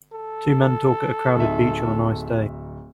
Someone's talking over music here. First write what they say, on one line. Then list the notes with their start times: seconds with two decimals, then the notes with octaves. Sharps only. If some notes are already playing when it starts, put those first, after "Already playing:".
Two men talk at a crowded beach on a nice day.
0.13 A4
1.37 D1 D#4 E5